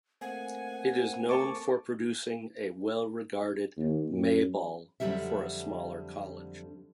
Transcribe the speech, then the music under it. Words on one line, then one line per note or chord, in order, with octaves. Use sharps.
It is known for producing a well-regarded May Ball for a smaller college.
A3 A#3 C4 F#5 G#5
A5 C#6 D6
D#2
F#2
F2 D3 F#3 G3 C#4 E5